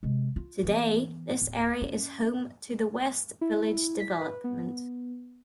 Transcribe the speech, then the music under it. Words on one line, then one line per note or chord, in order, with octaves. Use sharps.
Today this area is home to the West Village development.
C3 G#3
F4
E3 B3
D1
C#4
E4
B6
B4
B3